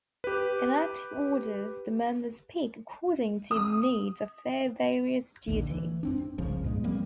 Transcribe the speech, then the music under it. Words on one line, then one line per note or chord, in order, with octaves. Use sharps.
In active orders the members speak according to the needs of their various duties.
G4 B4
D#6
A#1 D#2 D3
E3
F#2 C4 D4
F#1 C2 C#3 F3
G2 A#2 G#3 B3
F3 G3 A#3 C4